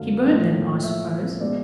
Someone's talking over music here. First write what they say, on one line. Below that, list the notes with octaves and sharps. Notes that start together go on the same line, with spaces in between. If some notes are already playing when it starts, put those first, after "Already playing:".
She burnt them, I suppose.
Already playing: F#2 D3 F#3 A3 F5
A2 F3 A#3
E5
B2 G#3 D5